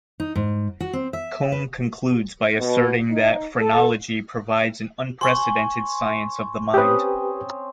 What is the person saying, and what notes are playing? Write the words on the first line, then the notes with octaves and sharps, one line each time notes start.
Combe concludes by asserting that Phrenology provides an unprecedented science of the Mind.
D#4
G#2
F#4
C4
E5
B4
B2
D#4
A4
C5 G#5 C6 C#6
C4 C#4 G4 B4 D#6